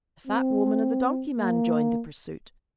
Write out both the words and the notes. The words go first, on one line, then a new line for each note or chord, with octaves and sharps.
The fat woman and the donkey man joined the pursuit.
C4
A#3